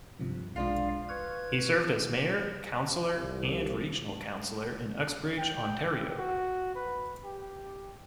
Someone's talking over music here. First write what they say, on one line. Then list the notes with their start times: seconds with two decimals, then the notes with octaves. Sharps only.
He served as mayor, councillor and regional councillor in Uxbridge, Ontario.
0.19 G2 C3 F3
0.56 B1 F3 G#3 D4 F4 D5 F5
1.09 B4 C#6 F6 G#6
3.15 C2
5.38 G5
6.19 F#4
6.75 B4
7.24 G4